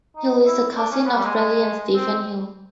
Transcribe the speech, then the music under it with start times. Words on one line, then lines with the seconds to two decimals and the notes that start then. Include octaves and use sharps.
Hill is the cousin of Bradley and Stephen Hill.
0.16 D#4
0.45 E4
0.76 D4
0.91 C#4
1.06 B3
1.15 G3
1.25 G#3
1.35 G#3
1.95 C4